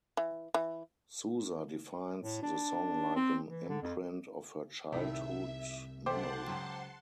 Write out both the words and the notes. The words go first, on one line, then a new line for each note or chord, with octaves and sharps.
Souza defines the song like an imprint of her childhood memory.
E3
E3
A2
D4
C4
E3
D3
F2
C2 A2 D#3 E5
C3 A3 C5 F#5 G5 A5 C6 D6
C#2 F#3